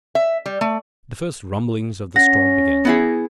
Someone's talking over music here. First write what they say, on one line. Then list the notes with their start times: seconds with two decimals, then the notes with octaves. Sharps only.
The first rumblings of the storm began.
0.15 E5
0.46 G3
0.61 A3
2.16 C#4 F#5 A#6
2.85 B3 E4 G#4